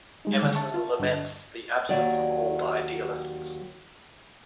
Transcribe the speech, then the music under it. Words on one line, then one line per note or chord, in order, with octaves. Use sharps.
Emerson laments the absence of old idealists.
G3 G#3 D#4
D3 D#3
E5 A5 C#6
F4
G2 D3
D#2 A#2 F#3 D5